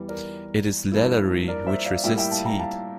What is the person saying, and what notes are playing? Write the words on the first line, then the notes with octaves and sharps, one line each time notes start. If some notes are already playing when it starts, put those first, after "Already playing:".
It is leathery which resists heat.
Already playing: E2 E3 G3
A#4 D5
G2 F3 A#3 E4
A#4 D5
C5 E5
D5 F5
A2 G3 A#3 E4 E5 G5
E5 G5
F5 A5
G5 A#5
F5 A5